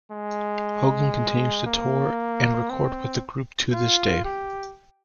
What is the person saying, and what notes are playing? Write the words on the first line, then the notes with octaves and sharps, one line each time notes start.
Hogan continues to tour and record with the group to this day.
G#3
A#3
C4
F4
G4